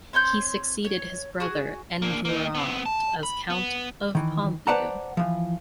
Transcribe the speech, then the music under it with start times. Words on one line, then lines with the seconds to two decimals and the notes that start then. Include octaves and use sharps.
He succeeded his brother Enguerrand as Count of Ponthieu.
0.13 C4 C#5 C6 G6
0.84 C#5
1.40 F#4 G#4
2.02 A#3 D4
2.25 A#3 D#4
2.55 B3 C4
2.85 A5
3.23 B5
3.50 B3
4.15 D#3 E3
4.67 B4 C5 D5 F#5 A5 A#5
5.17 E3 F3